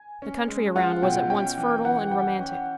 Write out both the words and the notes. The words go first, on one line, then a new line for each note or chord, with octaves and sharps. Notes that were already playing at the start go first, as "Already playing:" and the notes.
The country around was at once fertile and romantic.
Already playing: G#5
C#4
G#3
F4 F#5
B2 G5
C#4 G5
E3
E3 F#5
E3 G5
C#4